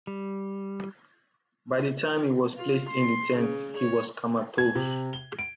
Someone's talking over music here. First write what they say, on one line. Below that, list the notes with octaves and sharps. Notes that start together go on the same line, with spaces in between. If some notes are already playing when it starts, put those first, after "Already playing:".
By the time he was placed in the tent, he was comatose.
G3
F4
C6
C#3
C#5
G#6
C3
G7
D7